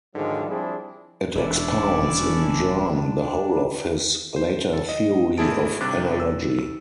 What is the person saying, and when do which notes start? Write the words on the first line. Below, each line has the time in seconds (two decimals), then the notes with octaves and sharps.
It expounds in germ the whole of his later theory of analogy.
0.15 G#2 D3 D#3 F3 F#3 G#3
0.48 F3 G3 C4 D4 E4 G#4
1.35 E1 C#4 D4 E4 D5
4.36 C5
4.73 A4
4.89 D#5
5.37 G#1 A3 E4 G#4 A5 D7
5.80 G2 C3 D6 F#6 A6
6.20 E6